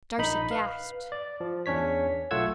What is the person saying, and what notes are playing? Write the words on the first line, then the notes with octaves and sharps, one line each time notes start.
Darcy gasped.
A#1 D#4 B5
B4 F5
D5
F3
E2 C#4 D4 C#5 B6
B1 A3 F4 F#5 E6 G#6